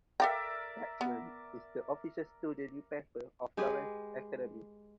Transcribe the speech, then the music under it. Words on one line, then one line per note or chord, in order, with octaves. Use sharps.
"Spectrum" is the official student newspaper of Lawrence Academy.
A4 A#4 D5 E5 F5 G5
B3
G#3 G4 G#4 B4